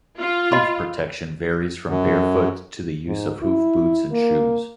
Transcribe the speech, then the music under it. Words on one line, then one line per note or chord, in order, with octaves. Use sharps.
Hoof protection varies from barefoot to the use of hoof boots and shoes.
F4
D#5 B5 C6
F#2
G#2
E4
A#3